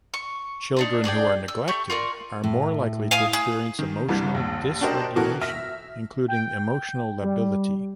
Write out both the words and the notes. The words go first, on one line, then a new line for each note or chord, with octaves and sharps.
Children who are neglected are more likely to experience emotional dysregulation, including emotional lability.
C#6
C4 D4 D#4
D4 G#4 D5 G5
E6
A3 G4 C#6
F4 A#4 D5 C#6
A2
F5 G#5 D#6
G#4
D#3
C2 G2 E3 G3
A#1 D#2
D4 F#4 G4 A#4 C5 D#5
B2 E3 F#4 A4 A#4
E5 F6 A#6 B6
G5
G3